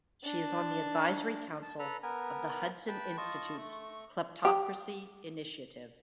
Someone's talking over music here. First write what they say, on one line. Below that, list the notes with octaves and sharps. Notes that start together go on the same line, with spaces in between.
She is on the Advisory Council of the Hudson Institute's Kleptocracy Initiative.
D4
A5
A4 B4 A#5
B3 A#4 G#5
B4 G5 A5
F4 D#5 A5 C#6
A3 C#6
G4